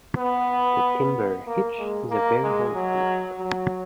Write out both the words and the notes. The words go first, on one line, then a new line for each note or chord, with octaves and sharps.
The timber hitch is a very old knot.
B3
A#3
G#3
A#3
G#3
F#3
F#3